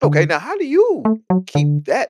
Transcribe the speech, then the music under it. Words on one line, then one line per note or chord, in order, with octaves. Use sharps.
Okay. Now how do you keep that
D3
A3
F#3
D3